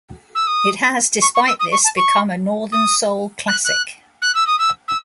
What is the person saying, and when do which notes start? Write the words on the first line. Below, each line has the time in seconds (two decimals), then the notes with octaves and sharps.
It has, despite this, become a Northern Soul classic.
0.35 E6
0.47 D#6
1.21 C#6
1.35 C#6
1.47 E6
1.59 D#6
1.72 C#6
1.84 A5
1.97 C#6
2.72 D#6
3.47 F#6
3.65 F#6
4.22 F#6
4.34 E6
4.47 D#6
4.58 E6
4.88 E6